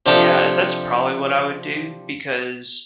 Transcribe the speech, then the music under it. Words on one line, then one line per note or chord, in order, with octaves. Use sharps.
Yeah, that's probably what I would do because,
C3 F3 D4 G4 A4